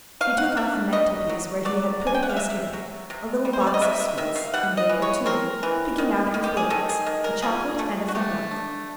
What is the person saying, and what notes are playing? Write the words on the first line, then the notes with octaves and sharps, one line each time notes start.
He took off the mantelpiece, where he had put it yesterday, a little box of sweets, and gave her two, picking out her favorites, a chocolate and a fondant.
F#3 F5
F#5
D4 E5
F#3 D#5
F#3
F#3 D5
C3
G#5
G5
F#5
F5
C3 E5
F#3
C3
G3
C5
C#5
D5
D#5
C3 E5
E5
D#3 E5
F5
G3 F#5
D#5
E3
C#5
C4 A#4
E3
D#3
D#3
G4
G#4
D#3 A4
G#4
D#3
A#4
F3 G#4
A3
F#4
A3 G4
D4